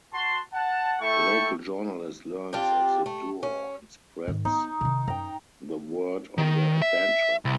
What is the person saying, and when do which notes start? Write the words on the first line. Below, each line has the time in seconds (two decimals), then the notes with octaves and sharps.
A local journalist learns of the duo and spreads the word on their adventure.
0.14 F#4 A5 C6
0.53 F#5 A5
1.01 A3 E4 A4 E5 G5 C#6
2.53 C4 D4 F4 G4
3.06 A3
3.43 C#4
4.28 G#2 D#3
4.45 B3 D#4
4.81 C3 D#3
5.08 F#2 G5 A#5
6.38 D#3
6.82 E5
7.45 C2